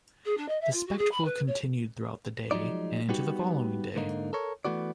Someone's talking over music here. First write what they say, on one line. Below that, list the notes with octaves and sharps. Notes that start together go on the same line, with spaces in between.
The spectacle continued throughout the day and into the following day.
G#4
D4
D#5
E5
F4
F#4
G#4
B5
B4
C#5
F3 F#3 G#3 D#4 D5
G3 B3 D#4 F#4 G4
G#2 D3 A#3 D#4
A4 A#4 C#5
E3 A3 B3 F#4 D5